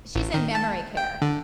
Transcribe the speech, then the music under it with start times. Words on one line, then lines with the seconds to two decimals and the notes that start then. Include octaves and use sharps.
She's in memory care.
0.15 A1
0.34 D#3
0.55 A5
0.97 G5
1.22 D3